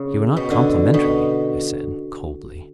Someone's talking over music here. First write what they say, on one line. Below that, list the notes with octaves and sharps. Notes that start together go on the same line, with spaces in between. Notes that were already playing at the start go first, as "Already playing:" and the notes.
"You are not complimentary," I said coldly.
Already playing: C#3
B2
D3
B2